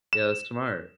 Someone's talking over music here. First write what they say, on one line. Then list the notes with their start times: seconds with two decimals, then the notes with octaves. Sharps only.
Yeah, that's smart.
0.13 E7